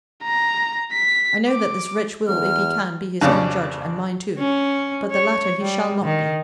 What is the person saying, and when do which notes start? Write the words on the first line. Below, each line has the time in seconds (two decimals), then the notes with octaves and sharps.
I know that this wretch will, if he can, be his own judge, and mine too. But the latter he shall not be.
0.23 A#5
0.93 B6
1.48 D6
2.27 E2 F6
3.21 F2 C#3 G3 C#4 D4
4.39 C#4
5.11 C#5
5.61 G3
6.04 D#3